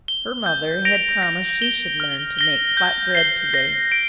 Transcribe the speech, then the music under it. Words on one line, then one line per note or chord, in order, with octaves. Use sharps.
Her mother had promised she should learn to make flat-bread to-day.
G7
G6
A#6 D7 F7
A#6
G7
F6
A#6 G7
G6
C7 G7
A#6
D7